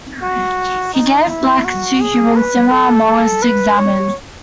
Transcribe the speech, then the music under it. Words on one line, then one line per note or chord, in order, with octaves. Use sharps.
He gave Black two human-similar molars to examine.
F#4
D#4
E4
F#4
G#4
B4
A4
B4
C#5